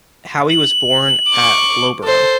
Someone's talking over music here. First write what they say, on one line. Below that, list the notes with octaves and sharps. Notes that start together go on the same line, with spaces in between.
Howe was born at Loughborough.
F#7
C#6 D6
A4 C5